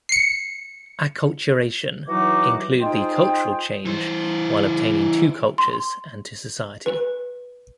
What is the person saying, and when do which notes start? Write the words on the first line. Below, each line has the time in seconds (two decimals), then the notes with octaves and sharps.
Acculturation include the cultural change while obtaining two cultures and to society.
0.09 C7 C#7
2.08 E3 F#3 D#4 F#4 D6
2.81 D#4 F4 G#4 C5 G5
3.85 E3 C5
5.58 C6
6.86 B4